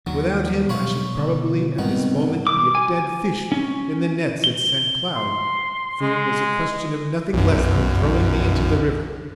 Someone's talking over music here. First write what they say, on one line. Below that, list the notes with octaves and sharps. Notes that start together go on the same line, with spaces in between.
Without him I should probably at this moment be a dead fish in the nets at Saint Cloud, for it was a question of nothing less than throwing me into the river.
D#2 D#3 F#3
B2 F#3 G#3 F4 C#5 B5
B2 D3
C2 G#2 D#3 B3
D6
G#5
C#4
G7
C6
G#3
B1 F#2